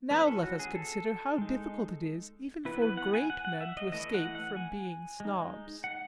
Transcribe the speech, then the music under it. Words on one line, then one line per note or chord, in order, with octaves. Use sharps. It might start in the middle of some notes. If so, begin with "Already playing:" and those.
Now let us consider how difficult it is even for great men to escape from being Snobs.
E3 G#3 C#4 B4
A4
F#4
G#4
A4
G#3 D#4
E3 B3 E4 B4
B4
F#5
G#5
F#5
F#5
E5
D#5
E3 A3 E4 D#5
F#5
F#5
G#5
G#3 D#4
F#5